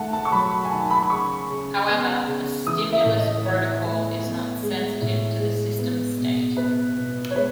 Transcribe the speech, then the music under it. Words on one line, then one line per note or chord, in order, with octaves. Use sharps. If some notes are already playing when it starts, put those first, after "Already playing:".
However a stimulus protocol is not sensitive to the system state.
Already playing: D#3 A3 F#5 A5
A5
C#6
F#3 B5
G#5
D#3 A5
B5
B5
C#3 C#6
C#3
B3
C#3
E3 D#6
E5
A2
D#5
E3 C#5
A3
B3
G#3
A2
G#3
B3
B2
B3 B4
B2
C#5
G#3 B4